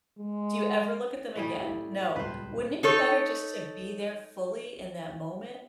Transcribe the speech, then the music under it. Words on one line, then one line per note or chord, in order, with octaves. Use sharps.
Do you ever look at them again, no, wouldn't it be better just to be there fully in that moment?"
G#3
A2 G3 G#4
E4 G4
D#1 C#2 B4 C5
D#4 A4 C#5